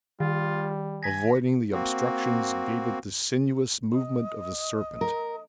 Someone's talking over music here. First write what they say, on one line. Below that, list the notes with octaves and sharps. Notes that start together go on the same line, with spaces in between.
Avoiding the obstructions gave it the sinuous movement of a serpent.
D#3 G3 F4
G#5 A#6 B6
A#3 C4 F#4
D#5
A#4